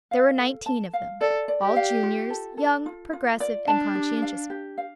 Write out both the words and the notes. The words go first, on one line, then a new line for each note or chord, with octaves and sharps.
There were nineteen of them, all juniors, young, progressive and conscientious men.
F5
A4
A5
F5
A4 D5
D5
G4
F5
F4
A4
A4
F4
F4
D5
D4 A5
G4
F5
G4
F5